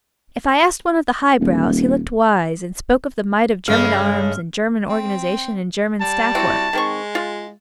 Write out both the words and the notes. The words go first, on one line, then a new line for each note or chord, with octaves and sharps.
If I asked one of the highbrows he looked wise and spoke of the might of German arms and German organization and German staff-work.
D#1
G2 C#3 G#3 A3 F6
C4
G3 A5
C4 E4 F#4
D#3 G#3 C4 C#6
F4